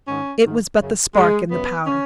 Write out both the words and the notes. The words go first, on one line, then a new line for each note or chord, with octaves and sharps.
It was but the spark in the powder.
G#2 D#3 C#4
G#2 D#3
F#2 C#3
F#2 C#3 G#3
F#2 C#3 B3
C#3 C#4